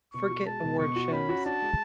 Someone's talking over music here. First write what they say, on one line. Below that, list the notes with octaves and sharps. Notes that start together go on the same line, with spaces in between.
Forget awards shows.
B2 C#6
F#4
G#3 A5
B2
B2 C#6
F#4
C#4 B5
F#4
D4 A5
G#3